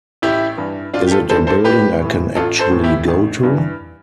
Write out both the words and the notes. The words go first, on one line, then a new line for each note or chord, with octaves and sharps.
Is it a building I can actually go to?
A1 E4 G4
G2 E3
A1 D4 F4
G4
F4 A4
G2 E3 A4 C5
A4 C5
A1 G4 B4
A2 E3
A1 F4 A4
A4 C5
A2 E3
E4 G4
A1
G2 E3